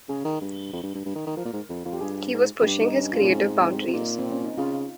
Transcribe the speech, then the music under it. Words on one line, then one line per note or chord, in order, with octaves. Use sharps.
He was pushing his creative boundaries.
C#3 G#4
D#3
G2
F2
G2
G2
G2
D#3
D#3
F3 A#4
A#2
G#2
F2
F2 F4
G4
G2 G#4
G#2
F2
G2 G4
D#4
C#4
F4
A#2 C#4
G#2 C4
C4
C3
A#2 D#4
C4
C#4
D#4
C#3 F4